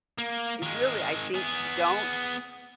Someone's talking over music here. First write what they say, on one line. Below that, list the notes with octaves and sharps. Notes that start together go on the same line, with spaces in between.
eh really, I think, don't
A#3
D#3 G#3
B3 G#4